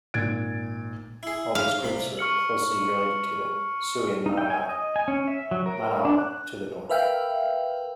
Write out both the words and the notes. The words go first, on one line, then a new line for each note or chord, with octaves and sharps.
All these groups were closely related with the Siouan Manahoac to the north.
G#1 A#2 G#6 A6 D7
E4 G#4
F5
C2 C3 B5
C#6 F6 C#7 F#7
D#4
G5
G#5
D#5
G#5
C#4
E5
F#3
A#4
D4
F#6
A#4 B4 E5 F5 G5